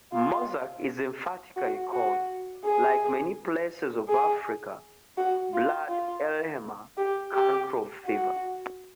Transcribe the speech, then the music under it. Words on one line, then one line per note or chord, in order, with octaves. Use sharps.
Mourzuk is emphatically called, like many places of Africa, "Blad Elhemah", country of fever.
F4
F#4
F#4
G#4
G#4
F#4
F4
F4
G4
G4
F#4